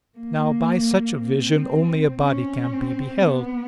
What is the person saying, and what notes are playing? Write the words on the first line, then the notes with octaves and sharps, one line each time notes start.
Now by such a vision only a body can be beheld.
A#3
C4
C#4
C4
B3